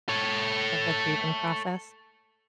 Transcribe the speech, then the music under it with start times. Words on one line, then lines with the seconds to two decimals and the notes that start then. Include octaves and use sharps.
of the grieving process.
0.09 A4 C#5